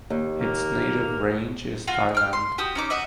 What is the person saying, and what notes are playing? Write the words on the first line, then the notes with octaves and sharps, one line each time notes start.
Its native range is Thailand.
D#2
A#3
F4 F#4 F5
G5 F6
C6
F#4 G4 D#6
C#4 D#4 D6
F#4 D#5 E5